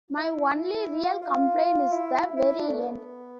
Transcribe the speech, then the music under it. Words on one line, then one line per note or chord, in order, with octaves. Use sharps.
My only real complaint is the very end.
E4
F4
F4
E4
E4
E4
D4
A3
B3